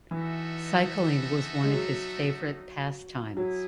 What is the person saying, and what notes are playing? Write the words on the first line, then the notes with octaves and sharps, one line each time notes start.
Cycling was one of his favourite pastimes.
E3 D#4 F#4 A4 E5
G#3
F#3
F#3 E4 G#4